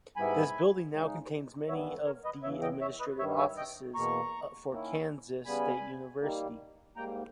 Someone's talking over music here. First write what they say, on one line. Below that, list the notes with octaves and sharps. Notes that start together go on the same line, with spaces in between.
This building now contains many of the administrative offices for Kansas State University.
G#2 G3 B3 E4 G#5 B5
C#3 G#3 D#4
G2 E3 G3 B3 C#5 E5
A#4 C#5
B4 D#5
E2 C#3 E3 C#5 E5
D#5 G5
C#5 E5
B4 D#5
G2 D#3 G3 C#5 E5
C#5 E5
D#5 G5
E2 B2 A#3 A#5 C#6
D#3 A#3 C#4 E4
C#3 G3 B3 G#5 B5
D#3 G3 A#3
G#2 G3 A#3 G5 A#5